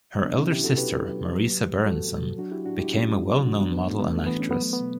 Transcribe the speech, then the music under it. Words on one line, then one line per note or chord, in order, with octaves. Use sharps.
Her elder sister, Marisa Berenson, became a well-known model and actress.
F#3 B3 D4
C#4 E4
B2 E4 G4
F#4 A4
B2 G4 B4
F#3
F#3
A2
A2 F#4 A4
F#3
F#3 D4 F#4
E4 G4
A2 D4 F#4
E4 G4
A2 C#4 E4
F#3
E3 D4 F#4
B3 D4
A2 B3
A3
A2 B3
A3
E3 B3
C#4
F#3 B3
A3
B3
B2